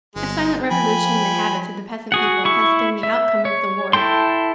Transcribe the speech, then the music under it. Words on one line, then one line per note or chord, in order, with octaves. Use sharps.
A silent revolution in the habits of the peasant people has been the outcome of the war.
G1 G#3
F3 G5 G#5 B5
F#4 G#4 F#5
E4 C#6
E5
C#5
E4 A4 G5 C6